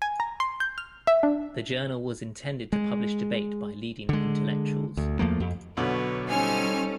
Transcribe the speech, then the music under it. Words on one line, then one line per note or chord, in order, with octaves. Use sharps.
The journal was intended to publish debate by leading intellectuals.
G#5
A#5
C6
G6
F6
E5
D4
G#3
D3 G#3
D2
E2 F3 A3 A#3
F2
B1 B2 D3 B4 C#5
G3 C#4 D#4 A4 C5 G#5 F6